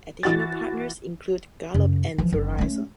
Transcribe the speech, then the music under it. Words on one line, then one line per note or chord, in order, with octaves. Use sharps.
Additional partners include Gallup and Verizon.
E3 F#4 A6
F#2 C#3
E3 F3
F#1
A3 C#4